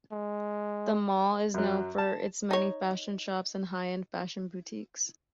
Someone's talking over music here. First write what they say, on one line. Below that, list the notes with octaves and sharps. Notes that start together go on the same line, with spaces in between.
The mall is known for its many fashion shops and high-end fashion boutiques.
G#3
F#2 F#3
A5
D#4 C#5